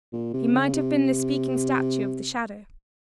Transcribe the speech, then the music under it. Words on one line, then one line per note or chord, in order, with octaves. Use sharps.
He might have been the speaking statue of the shadow.
A#2
C3
C#3
C3